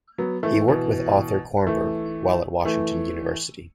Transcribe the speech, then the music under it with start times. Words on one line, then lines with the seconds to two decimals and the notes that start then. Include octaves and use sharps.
He worked with Arthur Kornberg, while at Washington University.
0.18 F#3 B3
0.43 E3 A3
0.68 B2 E3
1.67 E3 A3
2.65 E3 A3